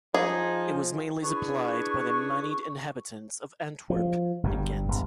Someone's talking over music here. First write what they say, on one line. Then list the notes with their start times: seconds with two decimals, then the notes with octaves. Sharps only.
It was mainly supplied by the moneyed inhabitants of Antwerp and Ghent.
0.14 F3 D#4 G#4
1.23 D4 E4 G#4 B4 C#6
3.90 F3
4.43 G1 G2 D3 G3
4.88 E1